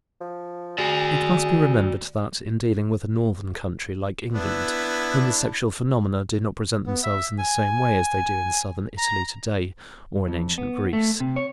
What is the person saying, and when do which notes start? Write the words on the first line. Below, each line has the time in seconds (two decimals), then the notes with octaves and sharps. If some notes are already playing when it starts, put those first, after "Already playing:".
It must be remembered that, in dealing with a northern country like England, homosexual phenomena do not present themselves in the same way as they do in southern Italy today, or in ancient Greece.
0.21 F3
0.78 F#4 G#4 D5
4.33 B3 D4 E4
6.87 B3
7.03 E5
7.38 G#5
8.98 A#5
10.28 F2
10.58 B3
10.93 A3
11.20 C3
11.36 C#5